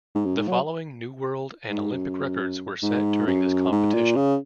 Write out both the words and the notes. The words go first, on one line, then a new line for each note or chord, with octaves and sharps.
The following new world and Olympic records were set during this competition.
G#2
F#2
G#2
F#3
G#2
F#2
G#2
F#2
G#2
A#2
C#3